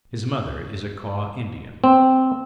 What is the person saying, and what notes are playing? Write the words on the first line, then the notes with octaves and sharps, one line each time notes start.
His mother is a Kaw Indian.
C4